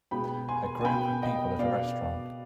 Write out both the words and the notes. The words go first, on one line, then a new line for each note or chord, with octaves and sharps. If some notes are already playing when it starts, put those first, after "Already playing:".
A group of people at a restaurant.
B2 G#3 B3 G5 B5
G#5 C6
G#5
B2 B3 G5 B5
D#5 G5
B2 B3 D5 F5